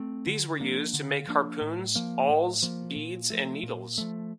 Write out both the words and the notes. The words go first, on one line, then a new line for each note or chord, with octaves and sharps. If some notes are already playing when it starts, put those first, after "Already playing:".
These were used to make harpoons, awls, beads and needles.
Already playing: A3 C4
D3
F3 A#3 D4
D3
F3 A#3 D4
A2
F3 A#3
A2
F3 A#3
A#2
F3 A3
A#2
F3 A3